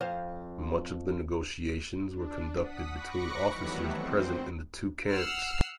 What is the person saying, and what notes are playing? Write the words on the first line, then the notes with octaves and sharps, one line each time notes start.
Much of the negotiations were conducted between officers present in the two camps.
F2 C5 F5
D4
F#5 D#6 B6
B5 C#6 D6 F#6 A#6 C#7
D#3 E3 F#3 G3 A3 B3
C4 C5
F#5 E6 F6 C7